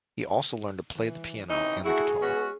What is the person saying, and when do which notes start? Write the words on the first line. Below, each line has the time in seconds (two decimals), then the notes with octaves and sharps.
He also learned to play the piano and the guitar.
0.95 E3
1.49 C3 E3 C#4 D#4
1.84 A3 E4 F#4 G#4
2.21 G#3 B3 C#4 F#4